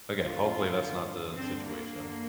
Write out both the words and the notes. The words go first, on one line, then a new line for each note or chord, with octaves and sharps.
again, hopefully, that's not the situation.
F2 D3 F4
G2 D3
G2 D3 C4
A#3
G2 D3